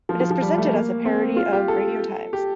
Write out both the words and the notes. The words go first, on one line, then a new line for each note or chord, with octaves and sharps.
It is presented as a parody of "Radio Times".
F3
F3
F3
G3
A3
A#3
C4
F4
G4
A4
G4